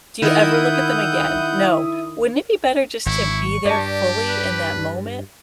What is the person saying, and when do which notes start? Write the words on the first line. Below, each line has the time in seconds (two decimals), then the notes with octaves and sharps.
Do you ever look at them again, no, wouldn't it be better just to be there fully in that moment?"
0.22 D#3 E4 F#5 D#6 G6
3.06 G#1 E4 C#6
3.65 G2 G4 D5 A5
4.29 B4